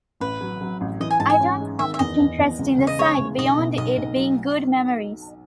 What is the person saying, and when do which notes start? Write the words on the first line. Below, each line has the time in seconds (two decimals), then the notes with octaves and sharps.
I don't have much interest in the site beyond it being good memories.
0.20 A1 B4
0.41 F#3
0.61 F#3
0.81 A1
1.00 E3 D#5
1.11 G#5
1.20 G#2 A5
1.30 G#5
1.40 C#4
1.60 G#3
1.79 D#3 E5
1.94 E5
1.99 E2 D#5
2.19 E2
2.38 E2
2.59 C#2
2.78 C#3
2.87 D#5
2.99 G#3 C#5
3.18 C#3
3.38 B1 D#5
3.57 B2
3.77 B1 D#5
3.97 B1
4.17 F#3